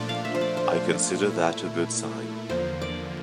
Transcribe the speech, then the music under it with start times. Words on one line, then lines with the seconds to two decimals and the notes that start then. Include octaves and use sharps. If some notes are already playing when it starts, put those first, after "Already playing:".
I consider that a good sign.
Already playing: A#2 F3 A3 D4 F4 D5
0.09 F5
0.25 E5
0.35 C5
0.41 D5
0.57 C5
1.22 A#2 A3 E4
2.50 E2 D3 F3 A#3 C5
2.82 D5